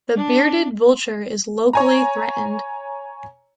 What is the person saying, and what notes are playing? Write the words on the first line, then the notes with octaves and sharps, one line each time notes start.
The bearded vulture is locally threatened.
D4
C#5 G#5 A#5